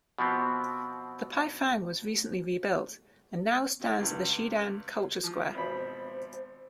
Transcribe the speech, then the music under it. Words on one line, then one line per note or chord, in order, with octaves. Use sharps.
The paifang was recently rebuilt, and now stands at the Xidan Culture Square.
B2 F3 B3 C4
C#2 G2
F3
G#1 B2 C5 B5